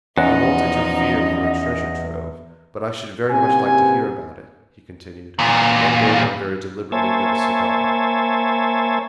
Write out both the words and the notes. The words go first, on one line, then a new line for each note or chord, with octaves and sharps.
"I won't interfere with your treasure-trove, but I should very much like to hear about it," he continued, while Burger very deliberately lit a cigar.
E2 F3 C#4 D#4 D#5 F#5
F#1 C3 B3 A#4 B4 G#5
E2 A#2
A#3 C5 C#5 E5 G#5 A5